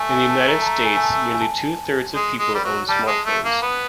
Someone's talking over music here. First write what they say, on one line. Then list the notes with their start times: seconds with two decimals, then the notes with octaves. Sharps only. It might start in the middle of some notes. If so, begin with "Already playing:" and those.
In the United States, nearly two-thirds of people own smartphones.
Already playing: A3 G#5
0.11 G#5
0.30 A5
0.48 A#5
0.62 A5
0.67 A#5
0.85 G#5
0.97 G#5
1.04 A5
1.34 G#5
1.41 A5
2.15 G#3
2.39 G#3
2.55 G3
2.65 F#3
2.88 G3 A5
3.07 G#3
3.26 A3
3.44 A#3
3.62 B3